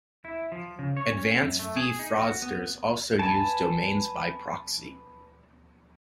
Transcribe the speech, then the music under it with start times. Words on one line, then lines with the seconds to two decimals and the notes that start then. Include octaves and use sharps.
Advance Fee fraudsters also use Domains By Proxy.
0.25 E4
0.52 F3
0.79 C#3
0.97 C#5
1.12 C#4
1.42 F#2
1.59 A3
1.76 G#4
1.99 D#4
2.16 F#4
2.42 B3
3.19 B4 G#5 A5